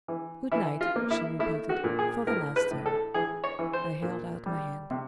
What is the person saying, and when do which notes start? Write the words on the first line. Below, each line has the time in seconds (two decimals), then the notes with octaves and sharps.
"Good-night," she repeated, "for the last time." I held out my hand.
0.08 E3
0.52 E3 E4
0.81 F4
0.96 A#3
1.11 E4
1.39 A3 E4
1.69 F#4
1.84 A#2
1.99 G#4
2.27 A2 A#4
2.56 B4
2.71 A2
2.86 A4
3.14 E3 G#4
3.44 C#5
3.59 E3
3.73 C5
4.02 A#2
4.46 G3
4.91 C3